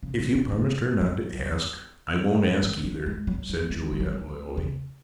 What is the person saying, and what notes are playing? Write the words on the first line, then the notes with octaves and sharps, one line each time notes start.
"If you promised her not to ask, I won't ask either," said Juliet loyally.
C#3
C#3
B2
C#3
F#3
D#3
F#3
G#3
F#3
F#3
G#3
G#3
F#3
D#3
F#3
C#3